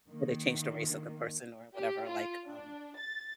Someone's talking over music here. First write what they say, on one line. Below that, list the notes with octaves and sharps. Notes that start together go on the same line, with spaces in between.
or they changed the race of the person, or whatever, like, um
D#3 A#3
G4
F4
D4
A6